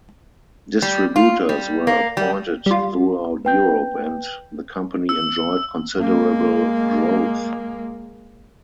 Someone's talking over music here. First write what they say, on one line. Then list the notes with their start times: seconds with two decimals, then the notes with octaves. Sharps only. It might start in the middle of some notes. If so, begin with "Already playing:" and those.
Distributors were appointed throughout Europe and the company enjoyed considerable growth.
0.82 G3
1.16 F4
1.49 G3
1.87 A#3
2.17 G3
2.66 G3 F4
3.45 B4 G5 G6
5.09 E6
6.01 G#3 A#3